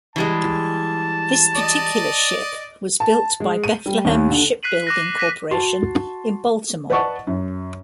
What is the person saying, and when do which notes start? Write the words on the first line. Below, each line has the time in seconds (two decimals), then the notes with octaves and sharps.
This particular ship was built by Bethlehem Shipbuilding Corporation in Baltimore.
0.16 E3 G3 G#3 A5
1.56 D5 D#5
3.00 A5
3.40 G#3
3.64 D#7
3.86 G3
4.05 D#2
4.30 D3
4.63 F#6 B6 C7 D#7 F#7
4.87 D6 F#6 A#6
5.17 A#6 B6 D#7
5.51 F#4 A5 C6
6.90 B4 D5 D#5 F#5 A5 C#6
7.27 F#2